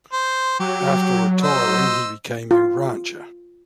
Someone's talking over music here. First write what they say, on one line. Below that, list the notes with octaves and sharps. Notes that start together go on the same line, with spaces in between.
After retiring, he became a rancher.
C5
F#3 G4
C5 D#5 E6
F4